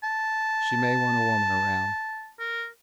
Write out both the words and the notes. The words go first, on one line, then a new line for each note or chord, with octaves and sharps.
She may want a woman around.
A5
A#4